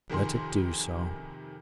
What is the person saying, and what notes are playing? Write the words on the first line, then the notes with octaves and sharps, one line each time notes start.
"Let it do so."
F2 C3 D#3 G#4 C6